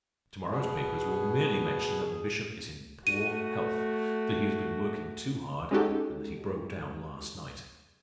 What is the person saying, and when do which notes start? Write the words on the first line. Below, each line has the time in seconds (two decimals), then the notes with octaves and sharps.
To-morrow's papers will merely mention that the Bishop is in poor health, that he has been working too hard, and that he broke down last night.
0.51 B2 G#4
3.07 A3 F#4 D#7
5.71 G#3 C#4 D#4 F#4 G4 A4